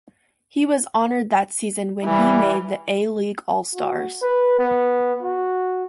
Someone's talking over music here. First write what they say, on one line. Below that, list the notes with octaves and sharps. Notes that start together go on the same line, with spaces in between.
He was honored that season when he made the A League all stars.
E3 G3
F#4
B4
B3
F#4